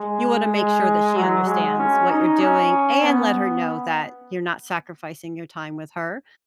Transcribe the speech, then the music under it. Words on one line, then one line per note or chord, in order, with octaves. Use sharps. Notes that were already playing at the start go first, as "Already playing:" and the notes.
you wanna make sure that she understands what you're doing, and let her know that you're not sacrificing your time with her.
Already playing: G#3
G#3
F#3
G#3
C#4
D#4
C#4
B3